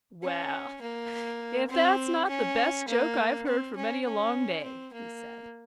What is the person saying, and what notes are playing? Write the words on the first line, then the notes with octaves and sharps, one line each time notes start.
"Well, if that's not the best joke I've heard for many a long day," he said.
C#4
A#3
C4
C#4
A#3
C4
C#4
C#4
C4
A#3